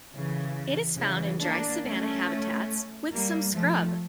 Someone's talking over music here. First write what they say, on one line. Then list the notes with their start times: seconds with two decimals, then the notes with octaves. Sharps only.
It is found in dry savannah habitats, with some scrub.
0.14 C#3 E3
0.98 C#3 E3
1.41 A#3 D4
1.84 A3 C#4
3.13 G3 A#3
3.54 F3 A3